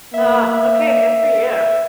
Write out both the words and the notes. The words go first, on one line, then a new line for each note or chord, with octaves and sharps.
Oh, okay, good for you.
A#3 E5